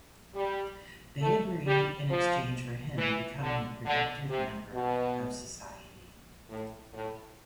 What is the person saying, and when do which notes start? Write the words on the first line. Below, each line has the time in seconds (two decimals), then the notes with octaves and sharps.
They agree in exchange for him becoming a productive member of society.
0.34 G3
1.21 A3
1.66 G3
2.09 F3
2.98 E3
3.41 D3
3.86 D3
4.29 C3
4.73 B2
6.49 A2
6.93 A2